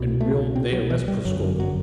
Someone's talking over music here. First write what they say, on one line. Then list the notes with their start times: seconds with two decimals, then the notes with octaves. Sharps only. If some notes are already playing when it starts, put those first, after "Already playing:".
"And will they arrest Prascovie?"
Already playing: C2 B2
0.20 A3
0.56 C4
0.73 F#3
0.90 E3
1.08 G3
1.25 G1 F#2 D3 F#3
1.60 F#3